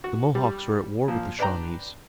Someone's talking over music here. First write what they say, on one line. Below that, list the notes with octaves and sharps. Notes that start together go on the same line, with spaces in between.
The Mohawks are at war with the Shawnees.
F#4
G3
A#2 F3
D4 B4 D5 G5 A#5